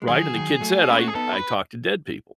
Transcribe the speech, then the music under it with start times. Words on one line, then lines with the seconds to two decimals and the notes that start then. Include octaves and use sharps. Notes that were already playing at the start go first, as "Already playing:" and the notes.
Right, and the kid said, "I I talk to dead people."
0.02 G#3
0.07 D#3 F#3 G#4
0.34 D#3 F#3
0.61 F#3 A3
0.88 A3 C#4 E4
0.98 F#4
1.08 G#4
1.15 B3 D#4 A4
1.33 B4